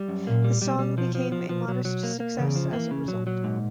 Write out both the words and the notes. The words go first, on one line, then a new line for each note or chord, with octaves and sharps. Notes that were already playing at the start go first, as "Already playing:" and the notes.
The song became a modest success as a result.
Already playing: G3
F#2
A#2 A#3
G3
B2 G3
G3
F3
F3
F3
F3
F#3
F#3
A#3
A#3
E2 C#3
F3
E3 A#3
C#3
A#2 F#3
F#3
G#2